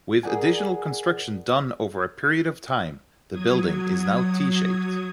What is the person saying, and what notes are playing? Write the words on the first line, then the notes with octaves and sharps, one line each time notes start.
With additional construction done over a period of time, the building is now T-shaped.
G#4 A#4 D5 F#5 G#5
F#3 D#6 G#6